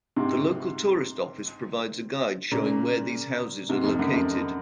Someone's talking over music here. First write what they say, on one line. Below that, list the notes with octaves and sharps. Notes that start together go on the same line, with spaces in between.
The local tourist office provides a guide showing where these houses are located.
G#2 C3
A#2 C#3
G#2 C3
F2
F#2
F2